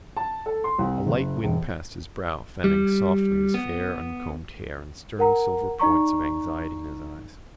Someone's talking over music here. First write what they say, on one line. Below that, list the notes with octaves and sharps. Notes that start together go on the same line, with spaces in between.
A light wind passed his brow, fanning softly his fair uncombed hair and stirring silver points of anxiety in his eyes.
A5
A4
C6
C2
F#1
E1
G3
B3
A#4 F#5 A#5
D#4 D5 A#5 C#6